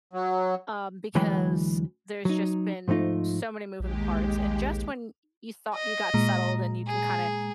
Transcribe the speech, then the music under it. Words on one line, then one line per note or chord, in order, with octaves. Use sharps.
Um, because there's just been so many moving parts, and just when you thought you got settled and you can kinda
F#3
D2 E3 F#3 G#3 G5 B5
F#3 D#4
G#2 F3 A3 D#4 F4
A#1 D#2 G#3 G4
D#5
A#2 G#3 A#5
G#4